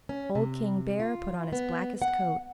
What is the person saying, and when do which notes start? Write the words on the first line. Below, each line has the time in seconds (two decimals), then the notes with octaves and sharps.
Old King Bear put on his blackest coat.
0.09 C#4
0.35 C3
1.00 F4
1.53 B3
2.02 F#5